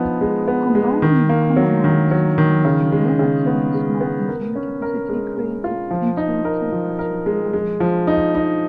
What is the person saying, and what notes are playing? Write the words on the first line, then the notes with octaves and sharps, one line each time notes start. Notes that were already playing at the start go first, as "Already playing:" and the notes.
Combining a common-rail system with a relatively small engine capacity created engine temperature problems.
Already playing: F3 B3 D#4
G#3
B3
G#3
D#3
A#3
F#3
D#3
F#3
D#3
C#3
G#3
C#3
B3
G#3
B3
A#4
C#4
A#4
G#3
G#3
F4
F3
D#4
A#4
F3
A#4
G#3
G#3
F3
D#4
D#4